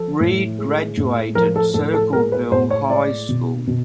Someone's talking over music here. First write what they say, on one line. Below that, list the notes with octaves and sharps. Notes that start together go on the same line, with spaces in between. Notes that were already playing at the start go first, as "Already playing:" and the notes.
Reid graduated Circleville High School.
Already playing: F3 A4
A2
G#3
A2
F3 A#4
A4
A2 A4
A4
G#3 A#4
B4
A2 C5
C#5
G#3 D5
B2
B2